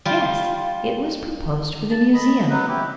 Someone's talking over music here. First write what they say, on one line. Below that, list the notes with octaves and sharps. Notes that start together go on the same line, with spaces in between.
"Yes; it was proposed for the Museum."
G3 F4
A5
D#5 B5
F#3 D#4 B4
E4 G4